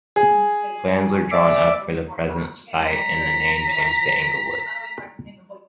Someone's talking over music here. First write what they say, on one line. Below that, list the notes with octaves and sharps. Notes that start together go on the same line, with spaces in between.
Plans were drawn up for the present site and the name changed to Inglewood.
G#4
D5 E5 D6
A#5 B6